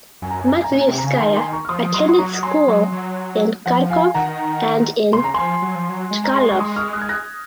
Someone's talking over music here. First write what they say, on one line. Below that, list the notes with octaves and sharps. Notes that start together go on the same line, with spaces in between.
Matviyevskaya attended school in Kharkov and in Chkalov.
F#2 G#5
A#5
G#5
A#5
G#5
A#5
A#2 G#5
A#5
C3 G#5
A#5
C#3 F5 G#5
D#3 G#5 C6
G#5 C6
A#5 C#6
F6
F3 C6 D#6
F3
F#3 C6 D#6
C6
F#3 A#5 C#6
G#5 C6
F#3
F#3
F3 F#5
F5 G#5
D#3 F#5 A#5
C#3 C6
A#5
F3 G#5 C6
F#3
F3
F#3
G#3
A#5
C6
C#6
C6 D#6
C#6 F6
D#6 F#6
G#6
F#6 A#6